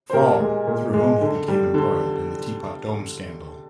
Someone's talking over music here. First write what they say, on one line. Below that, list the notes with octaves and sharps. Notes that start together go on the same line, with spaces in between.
Fall, through whom he became embroiled in the Teapot Dome scandal.
C5
A#2 G4 A#4
G#3
A#2
G#3
D3
G3
D3